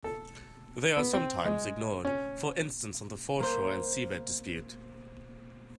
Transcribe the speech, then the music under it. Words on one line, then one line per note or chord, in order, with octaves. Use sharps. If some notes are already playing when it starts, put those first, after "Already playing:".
They are sometimes ignored, for instance in the foreshore and seabed dispute.
A4
B3
C4
G#3
C#4
A#3 C5